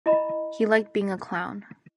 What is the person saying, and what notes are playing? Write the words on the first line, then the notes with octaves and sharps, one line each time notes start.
He liked being a clown.
E4 D#5 A#5 B5